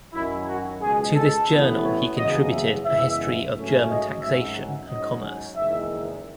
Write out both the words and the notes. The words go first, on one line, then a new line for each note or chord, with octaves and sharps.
To this journal he contributed a history of German taxation and commerce.
F#2 D#3 F#3 C#4 E4
F#4
C#2 B2 G#3 G#4
A4
A1 A2 E3 B3
C#5
F#1 E2 C#3 F#3 D#5
E5
F#2 C#3 E3 G#3 B3 E5
G#2 F#3 A3 C#4
D#5
G#1 G#2 F#3 C#4 E5
F#5
G#2 F#3 C#4 D#5
F#1 E2 D#3 G#3 E5